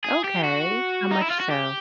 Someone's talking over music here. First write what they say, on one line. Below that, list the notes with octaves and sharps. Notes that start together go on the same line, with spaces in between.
Okay, how much so?
G#4
G4
F#4
D#4
E4
F4
F#4
G4